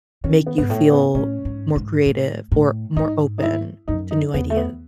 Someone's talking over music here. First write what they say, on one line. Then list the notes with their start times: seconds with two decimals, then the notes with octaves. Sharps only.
make you feel more creative or more open to new ideas?
0.24 D#3 C#4
0.47 B3
0.58 G#2 B3
0.69 A2 A3
0.92 B3
1.15 A2 C#4
1.45 G#2
1.76 G#2
2.06 A2
2.52 A2
2.96 G#2 D#4
3.38 D#4
3.43 E4
3.88 F#2 D#4
4.11 D#4
4.34 E2 B3
4.50 A3
4.57 B3